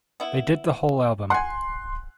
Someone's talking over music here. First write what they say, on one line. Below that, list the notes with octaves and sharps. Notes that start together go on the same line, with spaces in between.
They did the whole album.
B3 E4
F#5 G#5 C6 F#6